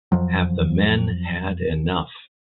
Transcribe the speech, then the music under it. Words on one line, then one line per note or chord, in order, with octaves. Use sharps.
Have the Men Had Enough?
F2 F3 F#3